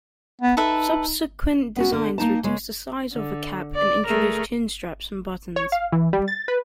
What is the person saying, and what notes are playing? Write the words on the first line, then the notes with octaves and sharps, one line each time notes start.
Subsequent designs reduced the size of the cap and introduced chinstraps and buttons.
B3
D#4 A4 B4 E5
B3 C#4 F#4
D3
A#3 D#4 A5
C#3 G#3
D3
D5
A3 G#4 A#4
C#5
F5
E3
G3
A6
B4